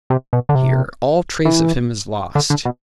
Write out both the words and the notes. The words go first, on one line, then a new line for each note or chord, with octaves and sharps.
Here all trace of him is lost.
C3
B2
D3
C3
E3
D3
D3
B2